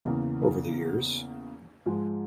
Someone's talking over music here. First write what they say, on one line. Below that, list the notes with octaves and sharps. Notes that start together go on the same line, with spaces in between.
Over the years.
E2 C#3 E3 A#3
G#2 F3 G#3